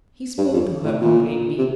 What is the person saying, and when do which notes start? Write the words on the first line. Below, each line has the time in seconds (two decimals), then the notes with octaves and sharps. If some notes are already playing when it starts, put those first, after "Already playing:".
He spoke to her more plainly.
0.38 G2
0.54 F2
0.85 A2
1.01 A#2
1.58 C3